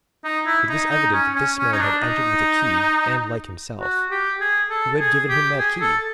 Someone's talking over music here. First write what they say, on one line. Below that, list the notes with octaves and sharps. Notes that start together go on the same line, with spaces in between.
It was evident that this man had entered with a key, and like himself. Who had given him that key?
D#4
E4
D#4
D#4
C#4
C#4
C#4
D#4
D4
D#4
F#4
G4
G#4
A4
G#4
G4
G#4
A4